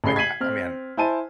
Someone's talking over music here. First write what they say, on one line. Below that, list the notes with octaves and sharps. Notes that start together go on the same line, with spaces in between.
like, I I mean,
A1 C#3 B5 C7 G7
G#6 B6 C7 D#7 F#7
C4 F6
E4 C5 G#5 A5 D#7